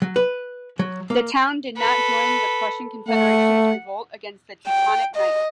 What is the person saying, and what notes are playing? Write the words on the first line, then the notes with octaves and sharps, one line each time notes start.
The town did not join the Prussian Confederation's revolt against the Teutonic Knights.
F#3
B4
F#3
A#3
A4 B4
A3 F#5
G5
D#5